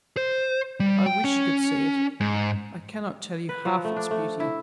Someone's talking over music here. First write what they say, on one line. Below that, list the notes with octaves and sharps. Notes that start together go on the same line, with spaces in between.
I wish you could see it. I cannot tell you half its beauty.
C5
G3
G5
C#4
G#2
B4
F3
A3
D4
A3
E4